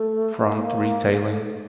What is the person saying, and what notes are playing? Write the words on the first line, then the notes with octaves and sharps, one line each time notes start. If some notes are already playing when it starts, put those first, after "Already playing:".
Front Retailing.
Already playing: A3
A#3
A#3
A3
A3
A3